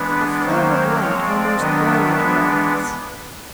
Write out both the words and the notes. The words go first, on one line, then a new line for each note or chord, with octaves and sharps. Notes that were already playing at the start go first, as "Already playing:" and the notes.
A flare of light almost blinded her eyes.
Already playing: E3 G#3 B3 D4 B4
D#3 F#3 A#3 C#4 C5
F3 G#3 C4 C#5
D5
D#3 F#3 B3 D4 D#5
E5
E3 G#3 B3 D4 E5